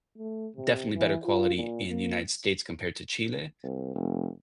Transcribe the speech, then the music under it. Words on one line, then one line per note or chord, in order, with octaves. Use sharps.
definitely better quality in the United States compared to Chile,
A3
C3
E3
F4
A#2
A#3
C2
F1